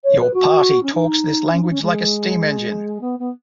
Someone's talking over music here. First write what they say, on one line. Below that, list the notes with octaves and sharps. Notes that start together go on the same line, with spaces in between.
Your party talks this language like a steam engine.
C#5
B4
F#4
C#4
D#4
C#4
D#4
C#4
G#3
B3
B3